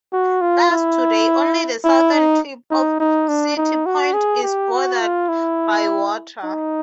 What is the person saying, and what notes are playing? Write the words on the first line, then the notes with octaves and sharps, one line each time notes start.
Thus today only the southern tip of City Point is bordered by water.
F#4
F4
E4
E4
D#4
D#4
D#4
D4
D#4
F#4
G#4
G4
F#4
F4
E4
D#4